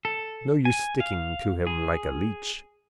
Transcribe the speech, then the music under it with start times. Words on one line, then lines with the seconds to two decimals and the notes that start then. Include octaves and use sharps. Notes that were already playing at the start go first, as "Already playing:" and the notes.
No use sticking to him like a leech.
0.05 A4
0.65 G#5
1.00 F5
1.67 G#4